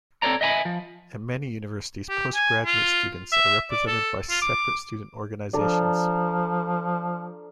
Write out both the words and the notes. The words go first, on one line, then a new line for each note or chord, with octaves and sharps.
At many universities, postgraduate students are represented by separate student organisations.
C4 A4 B4 C#5 D5 A#5
D#5 E5 G#5 A#5 B5
F3
G4
G#5
F4
E5
D5
A4
F4
D6
F3 D4 A4 A#5